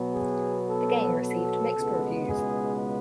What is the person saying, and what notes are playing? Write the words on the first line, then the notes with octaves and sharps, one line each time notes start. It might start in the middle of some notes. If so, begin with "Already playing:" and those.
The game received mixed reviews.
Already playing: B2 F#3 B3
G#4
A4
A4
C#2 B2 G#3 B3
G#4